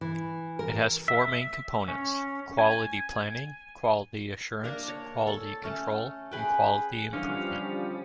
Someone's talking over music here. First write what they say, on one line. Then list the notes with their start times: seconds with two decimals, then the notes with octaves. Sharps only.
It has four main components: quality planning, quality assurance, quality control and quality improvement.
0.01 E3
0.59 A#4
1.08 E5
1.88 C#4
2.59 G#5
4.64 A#3 D4 A#4
4.88 C#5
5.27 A4
5.64 A3 C#4
6.31 G#4 B4 G5
7.13 D3 E3 F3 G3 C#4 F5